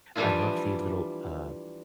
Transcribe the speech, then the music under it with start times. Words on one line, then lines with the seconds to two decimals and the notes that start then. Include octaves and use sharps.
I love the little, uh
0.15 E3 F3 G3 D4 E4 F4